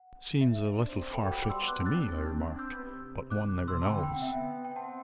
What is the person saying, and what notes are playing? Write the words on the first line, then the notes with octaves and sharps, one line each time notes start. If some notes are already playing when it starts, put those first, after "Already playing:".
"Seems a little far-fetched to me," I remarked; "but one never knows."
Already playing: F#5
E5
D4
C4
A3 G5 B5
F#3 G5 B5
F#3
D6
G3 C6 E6
B3
D6 F#6
C4
D4
C4 F#6 A6
D4
C4
D4
C4
D4
C4 E6 G6
B3
C3
D6 F#6
B2 C6 E6
C3 A5
G5 B5
D3
G5
C4 F#5
E5 G5
B3
G5
C4 F#5 A5